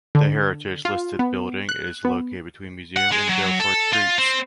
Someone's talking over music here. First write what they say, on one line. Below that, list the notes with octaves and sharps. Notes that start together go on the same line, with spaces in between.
The heritage listed building is located between Museum and Beaufort Streets.
D3
F4
B3
F#6
B3
F#5
G#3
F#3
A4
F4
C4